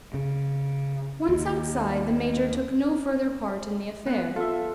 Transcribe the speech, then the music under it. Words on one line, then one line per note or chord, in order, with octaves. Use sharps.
Once outside, the major took no further part in the affair.
C#3
D#2
B3 B4
F4 A4 E5